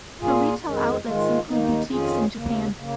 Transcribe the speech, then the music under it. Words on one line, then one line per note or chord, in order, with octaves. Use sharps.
Her retail outlets include boutiques in Japan.
A#2 A#3 F4 G#4
F2 D#3 G#3
G#2 D#3 G#3 F4
D#2 D#3 A#3 D#4
F2 D#3 C#4 F4 G#4
D#2 C#3 A#3
C#3 A#3